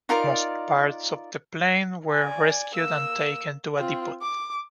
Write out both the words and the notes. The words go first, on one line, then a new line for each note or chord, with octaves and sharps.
Most parts of the plane were rescued and taken to a depot.
D#4 F4 A#4 D5
D5 G#5
A#3 E6
C4 F4
D6